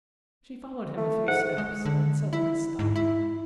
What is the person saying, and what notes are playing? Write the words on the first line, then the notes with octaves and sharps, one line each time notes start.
She followed him a few steps, and suddenly stopped.
A3
G#2 F#5
G#3
D3
E4
G#2
E4